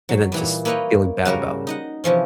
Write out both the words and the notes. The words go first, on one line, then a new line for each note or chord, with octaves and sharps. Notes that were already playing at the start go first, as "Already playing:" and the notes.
and then just feeling bad about it.
F#3
A#2 E3 G3
A#3 E4 B4 C#5 D#5 G5
C#3 G3 F#4 A#4
D#4 D#5 F#5
C3 E3 F3 C#4